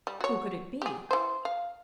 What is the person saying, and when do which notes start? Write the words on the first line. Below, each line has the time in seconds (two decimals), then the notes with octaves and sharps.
Who could it be!
0.07 G3
0.21 F#4 C#5
0.82 G4 G#4
1.11 E3 C5
1.45 F5